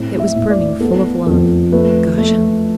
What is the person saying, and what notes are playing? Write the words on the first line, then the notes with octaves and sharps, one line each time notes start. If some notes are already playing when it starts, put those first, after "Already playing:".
It was brimming full of love--Gosh, honey!
Already playing: A2 C4
E5
A2
D5
B3 A4
F2 A4
A3 B4
A3